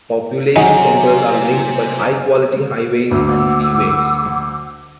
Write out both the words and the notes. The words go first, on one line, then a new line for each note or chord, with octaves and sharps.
Population centres are linked by high quality highways and freeways.
C3 F#3 D#4 G#5
D2 F#5 D6 E6